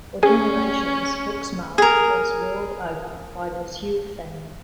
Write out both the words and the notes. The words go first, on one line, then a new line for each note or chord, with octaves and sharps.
For generations Uxmal was ruled over by the Xiu family.
C#4 G#4 G#5
G#4 A#4